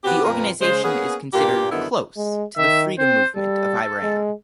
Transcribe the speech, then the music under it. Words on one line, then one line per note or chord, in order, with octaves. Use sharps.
The organization is considered close to the Freedom Movement of Iran.
B3 C4 F#4 G4
F2 A#2 F4 A#4 B4
C#3 G#3 C5
A#3 B3 C#4 G#4
G2 A#2 A#3 G4
F#2 D3 D#3 G3 B3 E4
G#3
D#3 E5
C4 C5
G3 A4
G#3